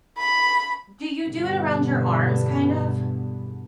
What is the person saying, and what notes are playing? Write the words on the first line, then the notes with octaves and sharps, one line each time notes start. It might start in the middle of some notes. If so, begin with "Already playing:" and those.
Do you do it around your arms, kind of?
B5
E2 G2 B2 D3 B3